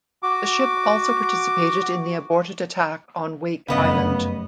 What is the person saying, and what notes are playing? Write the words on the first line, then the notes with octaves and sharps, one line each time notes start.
The ship also participated in the aborted attack on Wake Island.
F#4 D6
F1 F#2 C#3 B3 D#5